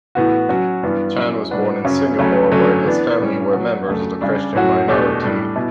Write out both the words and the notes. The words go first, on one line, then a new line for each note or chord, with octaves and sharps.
Chan was born in Singapore, where his family were members of the Christian minority.
A2 E3 B3 F#4
F#3 C#4 F#4
G2 E3 G3 B3 D4
F#3 C#4 E4
A2 G3 D4 F#4 B4
F#2 C#3 F#3 C#4
D2 C#3 F#3 A3 C#4
D3 F#3 A3 C#4
E3 B3 D4
A2 G3 C#4
F#3 B3 F#4
D2 C#3 F#3 A3
C#3 G3 D4
A2 F#3 C#4 F#4
E2 B2 A3 D4 G4
A2 G3 D4
B2 E4